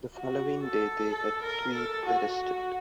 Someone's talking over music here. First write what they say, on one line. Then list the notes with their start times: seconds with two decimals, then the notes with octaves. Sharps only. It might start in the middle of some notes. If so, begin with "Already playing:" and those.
The following day, they had Tweed arrested.
0.16 F#4
0.63 A4
1.10 A4
1.43 A#4
1.74 A4
2.06 F#4